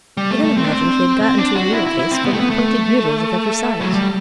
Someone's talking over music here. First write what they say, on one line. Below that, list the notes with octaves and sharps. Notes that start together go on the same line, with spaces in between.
He then imagined he had got into a needle-case full of pointed needles of every size.
G3
A3
A3
C4
D4
C4
C4
D4
F#4
E4
E4
E4
C4
B3
A3
B3
A3
F#3
G3